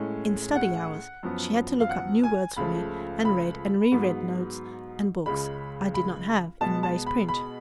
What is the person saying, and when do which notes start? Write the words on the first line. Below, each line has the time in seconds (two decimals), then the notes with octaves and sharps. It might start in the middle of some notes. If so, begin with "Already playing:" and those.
In study hours she had to look up new words for me and read and reread notes and books I did not have in raised print.
Already playing: A2 G#3 C#4
0.56 F#5
1.23 F#2 F3 B3
1.80 F5
1.90 F#5
2.24 G#5
2.57 C#2 C#3 F3 A3 B5
3.25 B5
3.92 G#2 F#3 B3
5.26 C#2 C#3 G#3 B5
5.94 B5
6.61 B2 G#3 B3 A5
6.83 A5
7.07 B5
7.29 B5